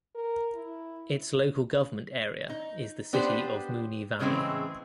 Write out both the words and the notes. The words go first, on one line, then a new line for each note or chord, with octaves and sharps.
Its local government area is the City of Moonee Valley.
A#4
E4
D#4
B3 D4 G4 B4 C5
A2 C#3 E3 G#3 C4